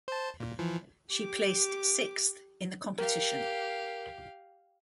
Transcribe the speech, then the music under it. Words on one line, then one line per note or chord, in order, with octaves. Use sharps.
She placed sixth in the competition.
C5 A5
A#2
E3 F3
G4 D6
G4 A#4 F5